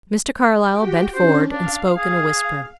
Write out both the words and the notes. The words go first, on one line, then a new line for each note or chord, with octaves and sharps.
Mr. Carlyle bent forward and spoke in a whisper.
F#4 G4 G5
C#4 D4 C5
D4 F5
G#4